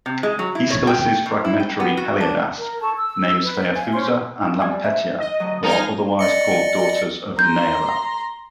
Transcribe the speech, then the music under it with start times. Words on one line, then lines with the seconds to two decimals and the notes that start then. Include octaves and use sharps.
Aeschylus's fragmentary "Heliades" names Phaethousa and Lampetia, who are otherwise called daughters of Neaera.
0.06 C3
0.23 G#3
0.39 F#3
0.55 E4
0.70 C#5
0.87 G5
1.26 A2
1.45 E4
1.60 G5
1.80 B3
1.97 F#4
2.21 D4
2.58 A#4
2.82 A4 A5 C#6
2.97 E6
3.43 B4
3.76 E5 F5 G#5
3.93 C#4 C5 C6
4.61 G3 G#5
4.84 E5
5.19 D#5
5.40 D3 F#3
5.64 G3 D#4 F4 A#4 F5 G#5 A#6
6.19 D5 D#5 C#7
7.39 A#5 C6 G6